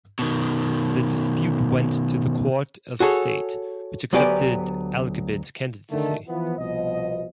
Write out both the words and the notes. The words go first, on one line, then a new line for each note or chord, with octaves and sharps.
The dispute went to the Court of State, which accepted Algabid's candidacy.
B2 D#3
F#4 G#4 A4 C#5
D2 F#3 B3 G4 D5 G#5
D3 D#3 A3
E3 F3 B3
C2 B2 F3 D#5